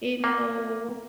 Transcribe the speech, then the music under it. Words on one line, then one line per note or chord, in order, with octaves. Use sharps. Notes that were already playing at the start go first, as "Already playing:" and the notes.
You know?
A#3